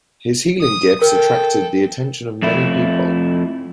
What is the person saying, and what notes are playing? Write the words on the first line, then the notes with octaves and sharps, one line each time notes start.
His healing gifts attracted the attention of many people.
D#6
A4 A#4 G5
F2 A3 E4